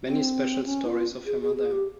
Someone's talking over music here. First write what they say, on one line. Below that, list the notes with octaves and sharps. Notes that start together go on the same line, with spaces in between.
Many special stories of him are there.
C4
C#4
F4
G#4
G#4
G#4
G4